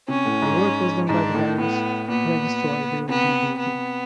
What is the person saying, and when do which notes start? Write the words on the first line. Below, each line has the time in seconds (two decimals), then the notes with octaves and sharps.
The work was done by the Arabs who had destroyed the original building.
0.08 C3 C#4
0.26 A2
0.42 G#2
1.09 G#2 D4
1.34 A2
1.58 A2 B3
2.08 A#2 B3
3.09 C3 B3
3.59 B3